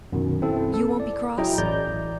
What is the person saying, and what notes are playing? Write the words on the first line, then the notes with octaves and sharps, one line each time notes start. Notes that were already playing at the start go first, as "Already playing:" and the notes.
"You won't be cross?"
F#2 B2 D#3
C4 E4 A4
A4
D5
F#3 E4 G#4 D#5 G5 A#5
A1 D5 A#5 G6